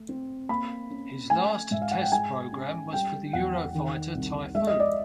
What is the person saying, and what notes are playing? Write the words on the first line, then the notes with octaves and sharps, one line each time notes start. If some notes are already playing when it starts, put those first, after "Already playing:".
His last test program was for the Eurofighter Typhoon.
Already playing: A3
C4
A#3 B5
C#4
A3 G#5
G#2 E5
F5
F#5
G5
G#3 G#5
C#4
G3 G5
E2 F#5
D#3
C2
G#3 E5
D#5
D5